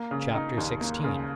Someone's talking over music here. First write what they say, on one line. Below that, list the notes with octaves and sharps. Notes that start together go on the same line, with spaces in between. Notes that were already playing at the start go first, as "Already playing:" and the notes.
Chapter XVI.
Already playing: A#3
C#3
D#4
D#2
A#3
C#3